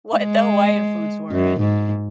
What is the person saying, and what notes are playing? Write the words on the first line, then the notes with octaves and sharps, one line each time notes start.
what the Hawaiian foods were, and,
G#3
F#2
G#2